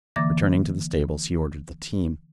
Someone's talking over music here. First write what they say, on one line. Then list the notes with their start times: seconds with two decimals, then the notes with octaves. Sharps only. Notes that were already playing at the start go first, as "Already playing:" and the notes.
Returning to the stables, he ordered the team.
0.16 D3 E3 A#3 D6 A6 A#6